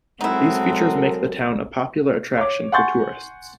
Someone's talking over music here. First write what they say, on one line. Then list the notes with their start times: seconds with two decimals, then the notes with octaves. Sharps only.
These features make the town a popular attraction for tourists.
0.21 F#3 G#3 C4 D#4 E4 A4 A#4 F#5
2.38 C#5 D6
2.72 F#5 G#5 C6 C#6 G6 A6